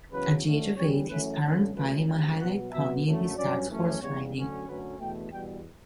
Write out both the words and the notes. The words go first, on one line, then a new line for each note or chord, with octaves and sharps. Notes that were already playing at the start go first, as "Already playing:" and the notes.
At the age of eight, his parents buy him a Highland pony and he starts horse riding.
E2 C#3 F#3 C#4 B4
D2 D3 A3 C#4
E2 D3 G3 C#4 C#5
F#2 E3 A3 C#4 B4
G2 D3 A3 C#4 A4
C#2 B2 A3 C#4 B4
D2 C#3 G3
B2 F#3 B3 F#5
B2 F#3 B3 E5
F#2 D3 F#3 A3 C#4
G2 F#3 C#4 D5
F#2 E3 A3 C#4
E2 C#3 G3 B3 C#5
D2 D3 F#3 C#4
F#2 D3 F#3 A3 C#4 B4
E2 B2 A3 G5
E2 B2 G3 B3 G5